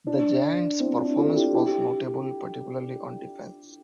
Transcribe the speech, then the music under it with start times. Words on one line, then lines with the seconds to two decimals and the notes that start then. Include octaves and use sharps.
The Giants performance was notable, particularly on defense.
0.07 D4
0.80 C4 E4
0.98 D4 F4
1.17 F4 A4
1.36 E4 G4
1.54 E4 G4